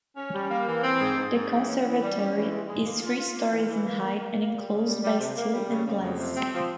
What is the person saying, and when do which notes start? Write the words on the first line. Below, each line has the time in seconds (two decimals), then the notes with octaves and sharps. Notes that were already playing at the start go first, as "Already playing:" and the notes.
The conservatory is three stories in height and enclosed by steel and glass.
0.16 C#4
0.33 G3
0.49 A#3
0.66 E3
0.83 C4
1.00 G#2
1.17 G#2
1.34 G#2
1.51 E3
1.67 C#4
1.84 E3
2.01 G3
2.17 C#4
2.35 E3
2.51 G#3
2.67 G#3
2.85 A#3
3.01 F4
3.18 F4
3.35 A#3
3.52 E3
3.68 E3
3.85 A#3
4.02 A#3
4.19 A#3
4.36 A#3
4.52 G3
4.69 C#3
4.86 G3
5.03 G3
5.19 C3
5.36 A#3
5.53 G3
5.69 C#3
5.86 C#3
6.03 F2
6.19 C3
6.36 C4
6.53 F3